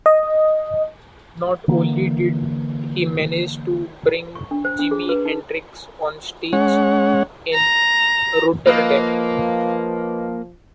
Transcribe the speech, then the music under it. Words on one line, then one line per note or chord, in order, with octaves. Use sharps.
Not only did he manage to bring Jimi Hendrix on stage in Rotterdam.
D#5
D3 E3 A#3
C#6
D4
C5
D4
G#4
B4
D#4
G#3 C#4 C#5 F#5
A#5
F3 A#3 B4 D#5 F5